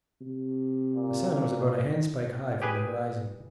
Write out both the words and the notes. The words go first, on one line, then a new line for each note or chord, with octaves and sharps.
The sun was about a handspike high from the horizon.
C3
A#2
G4 G#4 B4 G#5